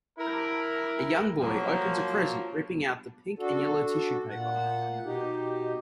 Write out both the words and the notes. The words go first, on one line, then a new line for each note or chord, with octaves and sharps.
A young boy opens a present ripping out the pink and yellow tissue paper.
E4 A#4
F3 F#3 A#3
D4 F#4 A4
A#2 F#5
B2 D#4 G4